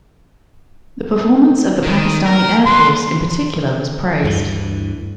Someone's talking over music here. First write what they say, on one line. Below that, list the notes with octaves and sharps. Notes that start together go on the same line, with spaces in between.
The performance of the Pakistani Air Force, in particular, was praised.
D#3
A#4
D2 B4 C6
D2 G2 E3